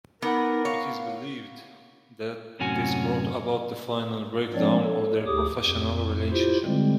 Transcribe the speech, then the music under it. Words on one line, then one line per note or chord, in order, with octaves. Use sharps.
It is believed that this brought about the final breakdown of their professional relationship.
B3 D#4 A#4 F#5 B5 D6
C#5 F5
F#2 A2 C3 C#4 F#4 G#5
F3 G#3 C4 D4 C#5 D5
A4 C#5
D2 G4 G#4 D6 D#6
F2
E4 F4 G4 C5
D3 G3 G#3 C4